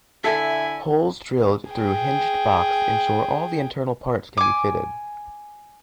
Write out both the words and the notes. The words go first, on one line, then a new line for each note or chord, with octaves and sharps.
Holes drilled through hinged box ensure all the internal parts can be fitted.
D3 E4 A4 E5 G#5
G#4 G5
G#5 D6